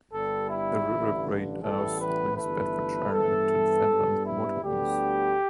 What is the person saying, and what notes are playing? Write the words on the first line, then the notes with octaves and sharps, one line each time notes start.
The River Great Ouse links Bedfordshire to the Fenland waterways.
G1 G2 G3 A4
E4
A1 G2 D3
A1 A2 E3 G3 B3 A4
B4
G1 G2 E3 A3 B4
G2 E3 B3 A4
G2 G3 B3
E4
D2 D3 G3 B3 G4